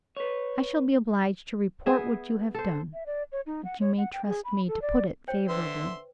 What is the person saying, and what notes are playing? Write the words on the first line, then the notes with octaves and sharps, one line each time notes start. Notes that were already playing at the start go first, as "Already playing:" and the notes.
I shall be obliged to report what you have done--but you may trust me to put it favorably.
B4 C#5
B3 G#4 E5
A4 C5
E5
D5
C#5
D#4
F#5
C#5
F#5
G5
G#4
B5
A4
D5
C5 C#5 G5
D3 B4 E5 C6